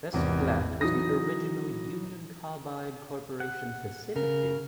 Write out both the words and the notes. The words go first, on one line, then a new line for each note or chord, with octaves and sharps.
This plant was the original Union Carbide Corporation facility.
G#1 E2 C3
E3 F#3 D#4 D#6 A#6
F#5
C#3 A#4